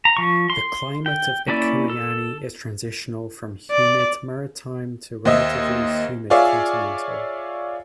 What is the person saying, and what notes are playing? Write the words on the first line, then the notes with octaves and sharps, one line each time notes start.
The climate of Bakuriani is transitional from humid maritime to relatively humid continental.
A#5
F3 C#6
C6
G5
A#3 C#4 E4 D5
A4
D5
D#2 C5 D#5 E5
F4 G#4 C#5 D5 E5 F5